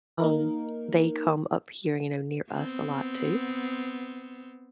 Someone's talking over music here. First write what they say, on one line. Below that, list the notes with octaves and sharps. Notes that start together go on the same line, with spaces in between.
uh um, they come up here, you know, near us a lot too.
A#3 D#4 A#4
B3 C4